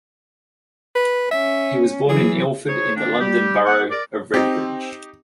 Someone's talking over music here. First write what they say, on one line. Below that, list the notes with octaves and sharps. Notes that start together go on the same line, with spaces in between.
He was born in Ilford in the London Borough of Redbridge.
B4
C#4 E5
E3 F#3 G#4
D#4 G#4 C5 C#5
D#3 A#3 C4 D4
G3 G4
B3 F#5
A#4 D5
C4 D#4 G4